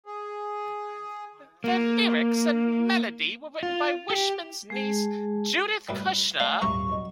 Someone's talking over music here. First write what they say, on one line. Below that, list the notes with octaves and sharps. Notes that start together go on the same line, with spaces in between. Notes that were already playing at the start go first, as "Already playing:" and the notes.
The lyrics and melody were written by Wishman's niece, Judith Kushner.
G#4
A#3
F4
G4
G#3 G#4 A5
F#2 A2 G3 B4 B5
A3 D5 F5 A5
D#1 G#2 F#4 E5 A#5 C#6
F#3 D#5